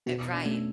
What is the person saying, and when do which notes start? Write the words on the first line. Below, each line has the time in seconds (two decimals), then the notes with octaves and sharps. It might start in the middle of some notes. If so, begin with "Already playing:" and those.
Uh, right.
0.06 B2 D4 F#4
0.32 D4
0.45 A3 C#4